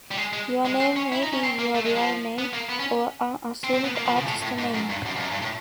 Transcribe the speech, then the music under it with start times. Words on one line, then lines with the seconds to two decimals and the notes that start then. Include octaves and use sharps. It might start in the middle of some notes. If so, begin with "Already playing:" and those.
Your name may be your real name, or an assumed artist name.
0.11 G3
0.17 G#3
0.33 G#3
0.65 G#3
0.80 C4
0.96 C#4
1.12 E4
1.23 D#4
1.33 C#4
1.44 C4
1.59 A#3
1.75 A3
1.85 G#3
1.96 F3
2.38 B3
2.53 A#3
2.69 B3
2.80 C#4
3.64 C4
3.74 C4
3.84 B3
3.96 A#3
4.06 F3
4.16 C#3
4.27 A2
4.42 A2
4.58 G#2
4.74 F#2
4.90 G2
5.06 F#2
5.16 F2
5.21 F#2
5.32 G2
5.42 A2